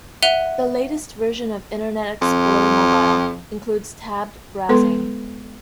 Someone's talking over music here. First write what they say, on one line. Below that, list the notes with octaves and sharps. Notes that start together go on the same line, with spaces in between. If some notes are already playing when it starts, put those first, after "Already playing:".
The latest version of Internet Explorer Mobile includes tabbed browsing.
E5 F#5 F#6 D#7 F7 G7
F2
G#3 B3 A4 B4 C6